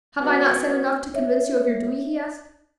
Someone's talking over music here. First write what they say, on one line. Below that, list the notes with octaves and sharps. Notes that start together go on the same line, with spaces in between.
"Have I not said enough to convince you of your duty?" he asked.
E2 C3 B3 C4 F#4
C#5 E5